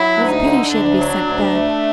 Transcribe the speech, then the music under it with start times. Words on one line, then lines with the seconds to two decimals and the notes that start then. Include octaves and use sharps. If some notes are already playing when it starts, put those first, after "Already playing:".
It was a pity she had to be sent back.
Already playing: F#3 E4
0.16 D2
0.30 D#4
0.44 D3
0.71 D2 D4
0.98 F#3
1.26 D2
1.54 A3